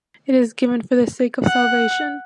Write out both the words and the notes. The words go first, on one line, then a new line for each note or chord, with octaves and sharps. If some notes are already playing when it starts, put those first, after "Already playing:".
It is given for the sake of salvation.
F#5